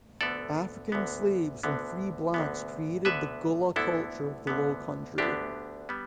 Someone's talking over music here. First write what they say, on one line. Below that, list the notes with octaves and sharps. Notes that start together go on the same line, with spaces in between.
African slaves and free blacks created the Gullah culture of the Lowcountry.
D2 D3 B3 A4 D5
D2 D3 B3
D2 D3 B3
D2 D3 B3
D2 D3 B3 B4 E5
D2 D3 B3 E4 A4
D2 D3 B3
D2 D3 B3 D4 G4
G3 B3